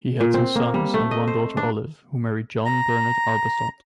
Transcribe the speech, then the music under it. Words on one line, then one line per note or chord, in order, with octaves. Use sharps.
He had two sons, and one daughter Olive, who married John Bernard Arbuthnot.
A#2
C4
A#3
G3
A3
D#5
C5
D4
A#5